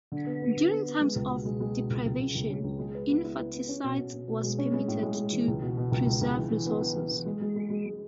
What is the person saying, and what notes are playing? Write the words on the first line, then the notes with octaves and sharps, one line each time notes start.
During times of deprivation, infanticide was permitted to preserve resources.
D3
B3
B3
D3
B3
B3
G#3
C#2
B2
G#3
G#3
B2
C#2
C#2
C#3
C#2
C#4
C#2
G#3
B4
B3
E4
B4
B3
C#4
B2
B2
B2
B2
G#3
C#4
G#3
A2
G#3
G#3
E3
C#2
B2
B2
C#2
C#2
C#2
E3
E3
B3
E3
E3
E3
G#3
G#3
G#3
G#3
G#3